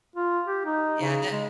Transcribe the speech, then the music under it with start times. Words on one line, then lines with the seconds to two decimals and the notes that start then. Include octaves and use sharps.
Yeah, and that
0.16 F4
0.46 G4
0.65 D#4
1.01 C#3
1.31 G#3